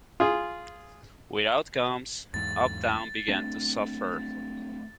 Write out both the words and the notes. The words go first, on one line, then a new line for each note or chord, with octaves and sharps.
Without Combs, Uptown began to suffer.
F4 G#4
E2 G#2 A6
A3 C4 D4